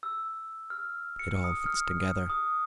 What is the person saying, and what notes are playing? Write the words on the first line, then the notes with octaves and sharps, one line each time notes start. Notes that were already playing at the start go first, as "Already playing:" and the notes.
It all fits together.
E6
F6
C#7
D#6
F6
D#6